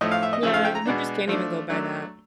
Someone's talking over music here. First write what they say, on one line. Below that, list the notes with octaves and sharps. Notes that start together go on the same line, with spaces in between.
Yeah, you just can't even go by that.
A2 F3 A3 D#5
F5
E5
D#5
C#3 F3 A3 E5
F5
G5
A#5
B2 G#3 B3 D4
F3 A3 D4
F#3 A3 D4